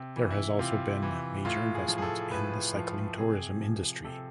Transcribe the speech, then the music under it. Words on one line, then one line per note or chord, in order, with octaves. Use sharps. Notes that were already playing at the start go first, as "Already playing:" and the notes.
There has also been major investment into the cycling tourism industry.
Already playing: C3
E3
E4
C3 F4
E3
A2 F4
G#4
F3
G#4
A4
A2 B4
F3 F4
C3 G#4
F3
C3 A4